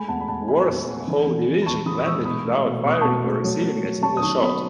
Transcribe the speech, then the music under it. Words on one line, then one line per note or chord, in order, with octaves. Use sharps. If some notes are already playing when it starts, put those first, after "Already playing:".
Worth's whole division landed without firing or receiving a single shot.
Already playing: G#3 A3 G#5 B5
E2 F#5 A5
B5
E2 F#5 A5
D#3 G#5 B5
E2
A3
E3
E3
E3
B5
E2 A5 C#6
E3 B5 D#6
D#6
G#3 C#6 E6
B2 B5 D#6
A3
B2
B2 C#6
D#6
B2 A5 C#6
A3
F#3
F#3
F#3
F#3 A5 C#6
D#6
D#3 A5 C#6
B3 B5 D#6